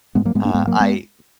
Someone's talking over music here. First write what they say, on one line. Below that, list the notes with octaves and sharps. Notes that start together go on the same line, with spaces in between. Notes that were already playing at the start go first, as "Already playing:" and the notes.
uh, I
G#2 G#3 B3
F#3 A#3
G#2 G#3 B3
A#3 D4
G#2 G#3 B3
F#3 A#3
G#3 B3